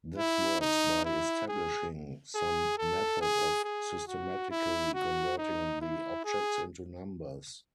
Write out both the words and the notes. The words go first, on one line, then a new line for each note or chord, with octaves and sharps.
This works by establishing some method of systematically converting the objects into numbers.
E4
D#4
E4
G#4
G#4
A4
G#4
G#4
F#4
E4
F#4
D#4
E4
G#4